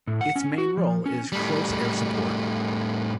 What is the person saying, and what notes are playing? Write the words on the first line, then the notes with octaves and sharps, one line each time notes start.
Its main role is close air support.
A2
F#5
C#4
F#4
F3
C#4
A2 G3